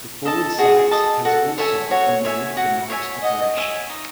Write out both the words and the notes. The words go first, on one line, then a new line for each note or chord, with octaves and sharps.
The forward sight has also a mode for night operation.
A4 D#5 A5
F#4 G#4
A4 D#5 A5
F#4 A4
A4 C#5 E5 G#5
F#4 C#5
C#5 E5 G#5
F#4
C#5 E5 G#5
F#4 D#5
C#5 E5 G#5
D#4